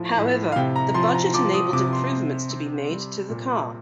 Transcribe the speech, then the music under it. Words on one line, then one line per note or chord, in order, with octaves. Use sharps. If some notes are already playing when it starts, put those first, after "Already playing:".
However, the budget enabled improvements to be made to the car.
Already playing: A2 F3
A2
F5
C3 G5
A#5
F3 C6
A#5
F3 D6
D#6
C3 D6
C6
C4
C4
G3
A#2